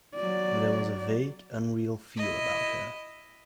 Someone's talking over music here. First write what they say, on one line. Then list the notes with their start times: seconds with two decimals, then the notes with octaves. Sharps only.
There was a vague, unreal feel about her.
0.15 F#3 D5
2.17 E4 D#5